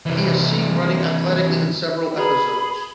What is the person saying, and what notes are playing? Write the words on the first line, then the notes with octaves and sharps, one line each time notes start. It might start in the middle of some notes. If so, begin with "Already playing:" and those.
He is seen running athletically in several episodes.
C3 E3
F#4 G#4 B4 A#5 B5